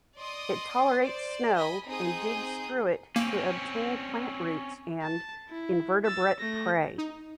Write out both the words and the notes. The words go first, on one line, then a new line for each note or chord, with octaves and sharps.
It tolerates snow and digs through it to obtain plant roots and invertebrate prey.
D5 D#5 C6 D#6
C5 D5
D#5 G#5 B5
C4 D#4 G#4 D#6 G6
A#3 C4 C#4
A5
E4
E6 A6
A3 A#6
D#4